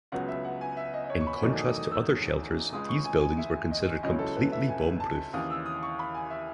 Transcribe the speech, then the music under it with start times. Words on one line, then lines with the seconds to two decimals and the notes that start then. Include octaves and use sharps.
In contrast to other shelters, these buildings were considered completely bomb-proof.
0.12 C#2 C#3 F#3 B3 F#5
0.28 E5
0.44 F#5
0.61 G#5
0.77 E5
0.93 D#5
1.04 D#5
1.10 C#5
1.21 C#6
1.26 B5
1.42 E2 D#3 F#3 A3 D#4 C#6
1.58 D#6
1.76 D#6
1.91 E6
2.73 C#2 C#3 G#3 D#6
2.89 C#6
3.05 G#5
3.21 G#5
3.38 E5
3.71 D#5
4.03 C#2 C#3 F#3 C#4 E4 D#5
4.19 A4
4.36 B4
4.52 E5
4.68 G#5
5.00 A5
5.33 D#2 C#3 E3 D#6
5.50 E6
5.66 D#6
5.83 C#6
5.99 B5
6.14 G#5
6.30 E5